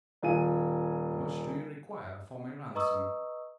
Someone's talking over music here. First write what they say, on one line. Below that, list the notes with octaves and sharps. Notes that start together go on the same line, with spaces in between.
"How much do you require for my ransom?"
D#1 F4 G#5 D#7
B4 D#5 A#5 C#6 D#6 E6